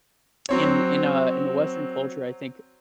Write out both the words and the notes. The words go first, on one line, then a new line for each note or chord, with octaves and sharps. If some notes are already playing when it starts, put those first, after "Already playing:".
In in a in the Western culture, I think,
F#3 C4 C#5